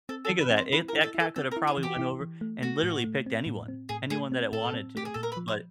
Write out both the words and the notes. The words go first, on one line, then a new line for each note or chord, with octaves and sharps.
think of that. If that cat could have probably went over and literally picked anyone. Anyone that it wanted to, but
C4 A4
A4
E3
B4
C4
C5
E4 B4
A#4
E4
A4
E4
A4
C4 A4
A#4
E4
G#4
E3
G4
E4
E3
A3
A3 F#4
A2
A3
C4
A2
C4
A2 G#4
A3 G#4
C4
A2 A4
C4
A3 G4
G#4
A#2 A4
A#4
B4
F3
C5